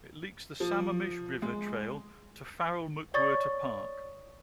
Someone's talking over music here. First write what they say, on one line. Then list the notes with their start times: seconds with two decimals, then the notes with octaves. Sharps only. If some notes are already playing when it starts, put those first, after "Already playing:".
It links the Sammamish River Trail to Farrel-McWhirter Park.
0.60 F3
1.42 G#3
3.14 C#5 D5 C#6 D#6 A6